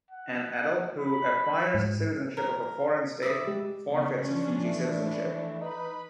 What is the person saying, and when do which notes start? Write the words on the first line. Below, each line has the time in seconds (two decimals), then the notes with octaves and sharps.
An adult who acquires citizenship of a foreign state forfeits Fiji citizenship.
0.11 F#5
1.00 B5
1.74 G#2
2.37 A#4
3.23 B4 D5 E5 D#6 E6
3.47 G#3 G4
3.88 C#3 B3 D4
4.22 F3 C#4
4.65 E3 A3
5.61 D#4 B4 B5